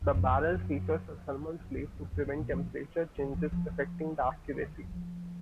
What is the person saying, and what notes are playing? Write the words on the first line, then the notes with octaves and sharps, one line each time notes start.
The barrel features a thermal sleeve to prevent temperature changes affecting the accuracy.
F2
F#2
F2
G#2
F#2
F2
F#2
G#2
F2
F2
G#2
A#2
F3
D#3
F3
F3
F3
D#3
D#3
D#3
F3
F#3
F3